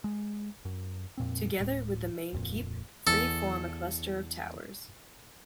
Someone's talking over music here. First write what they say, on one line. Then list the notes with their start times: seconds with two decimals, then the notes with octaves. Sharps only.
Together with the main keep, three form a cluster of towers.
0.04 G#3
0.65 F#2
1.17 F2 A#2 C4
1.58 D1 A2
2.33 D1 F2 A#2
3.07 E2 A4